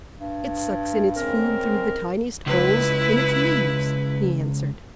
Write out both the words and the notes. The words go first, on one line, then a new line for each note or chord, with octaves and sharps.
"It sucks in its food through the tiniest holes in its leaves," he answered.
G2
G#2 C#3 C4 A#4
C#2 E4 B4